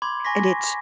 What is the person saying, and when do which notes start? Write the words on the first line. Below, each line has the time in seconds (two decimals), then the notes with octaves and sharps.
and it's
0.02 B5 C6 D6 G#6
0.25 G#5 C#6 A#6 B6